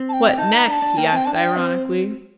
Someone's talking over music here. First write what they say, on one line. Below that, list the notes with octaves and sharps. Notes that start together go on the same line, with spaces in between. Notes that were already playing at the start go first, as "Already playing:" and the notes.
"What next?" he asked ironically.
Already playing: C4
A5
G5
D#4 A5
A#5
D4 A5 A#5
D4
A#3 G5
A5
C4 G5
D4 A5
G5
C4 C5